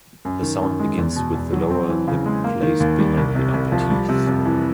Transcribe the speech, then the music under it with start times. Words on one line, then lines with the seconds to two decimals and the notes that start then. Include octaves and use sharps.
The sound begins with the lower lip placed behind the upper teeth.
0.25 F#2
0.43 D#3
0.61 F#2
0.79 G#3
0.98 E2
1.16 B2
1.34 E2
1.53 F#3
1.71 C4
1.89 E3
2.08 C#3
2.26 G#3
2.44 A#3
2.63 D#3
2.80 D#2
2.99 G3
3.17 C2
3.35 C3
3.54 C2
3.72 F3
3.90 G3
4.09 C3
4.27 F2
4.45 E3